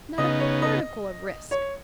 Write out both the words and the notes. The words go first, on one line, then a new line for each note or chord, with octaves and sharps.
Not a particle of risk.
C#3 B3 D#4 D#5
C#5
D#5
C#5